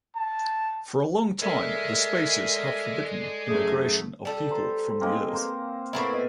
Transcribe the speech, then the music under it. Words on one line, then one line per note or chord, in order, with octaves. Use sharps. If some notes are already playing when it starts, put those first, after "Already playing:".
For a long time, the Spacers have forbidden immigration of people from the Earth.
A5
G#3 A4 A#4 D5 E5
F#2 A3 G#4
G3 A4
C5 A#5
G#3 A#3 C4
A#4 C5
A2 B3 C4 E4 A#4
D#5